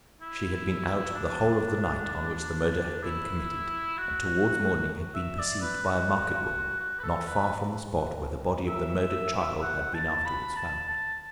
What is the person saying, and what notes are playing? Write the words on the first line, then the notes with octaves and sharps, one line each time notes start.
She had been out the whole of the night on which the murder had been committed and towards morning had been perceived by a market-woman not far from the spot where the body of the murdered child had been afterwards found.
E4
D4
E4
F#4
E5
D5
B4
F#4
F#4
B4
A4
B4
E5
F#5
A5
B5
A5
A5